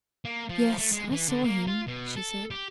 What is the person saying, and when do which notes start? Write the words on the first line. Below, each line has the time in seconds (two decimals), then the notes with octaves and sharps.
"Yes, I saw him," she said.
0.25 A#3
0.49 F3
0.78 A3
0.92 G#3
1.12 E3
1.29 D3
1.45 A#3
1.68 F4
1.88 B2
2.16 A4
2.51 G4